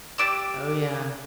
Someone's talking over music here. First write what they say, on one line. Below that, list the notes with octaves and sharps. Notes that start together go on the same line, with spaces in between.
Oh, yeah.
G4 D5 E6